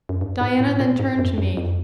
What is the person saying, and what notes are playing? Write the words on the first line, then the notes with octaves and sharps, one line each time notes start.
Diana then turned to me.
F#2
G2
G#2
A2
A#2
G#2
F#2
F#2
F2